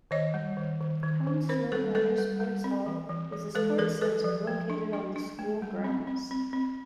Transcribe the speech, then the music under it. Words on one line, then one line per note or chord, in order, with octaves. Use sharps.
Hounslow Manor Sports Hall is a sports center located on the school grounds.
D#3 C#5 D#5
G3
D#3
D#3
D#3
D#3
C4 A#4 C5
G3 A4 B4
G3 A4 B4
G3
G3
C4
E3
E3
E3
G#3 A4 B4
E3 G#4 A#4
E3 A4 B4
F3
A3
D4
D4
D4
A3
G3
C4
C4
C4
C4